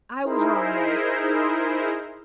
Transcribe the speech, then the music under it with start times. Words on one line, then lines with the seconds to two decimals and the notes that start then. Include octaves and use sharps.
I was wrong there.
0.23 D#4 E4 G#4 A#4 C5